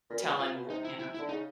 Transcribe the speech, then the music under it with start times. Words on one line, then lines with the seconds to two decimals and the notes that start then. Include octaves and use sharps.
telling you know,
0.10 A#2
0.20 B2
0.30 C#3
0.39 C3 F4
0.55 B2
0.65 C#3
0.69 C3 D#4
0.85 E4
0.99 E4
1.14 E4
1.19 D3
1.29 C#3 D#4